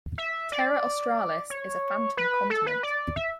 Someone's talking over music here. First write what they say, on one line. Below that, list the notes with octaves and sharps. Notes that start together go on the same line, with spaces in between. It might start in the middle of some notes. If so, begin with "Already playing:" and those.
Terra Australis is a phantom continent.
E5
D5
C#5
B4
A4
B4
D5
E5